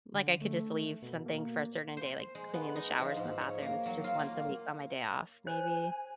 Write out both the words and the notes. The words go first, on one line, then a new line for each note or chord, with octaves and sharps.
like, I could just leave some things for a certain day, like cleaning the showers and the bathrooms, which is once a week on my day off maybe,
D3
A3
B2
A#3
C5
G#3
B3
D#4
F3
G#2
C#5
A#3
F#3
F4
A#3
C5 G#5